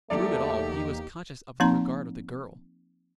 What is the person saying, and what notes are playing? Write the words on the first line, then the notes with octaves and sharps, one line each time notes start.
Through it all he was conscious of the regard of the girl.
E2 F#3 A3 A#3 D#4 G4 A4 D5
F3 A#3 C4 D#4 A#5 C6